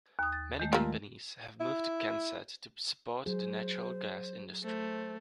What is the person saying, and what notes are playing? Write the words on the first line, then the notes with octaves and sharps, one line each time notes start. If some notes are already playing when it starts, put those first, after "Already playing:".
Many companies have moved to Kensett to support the natural gas industry.
D#2 D#6
A6
D#3 G#3 A3
F3 G3 A#3 E6
E4
F#3 G#4 C5
A3 C5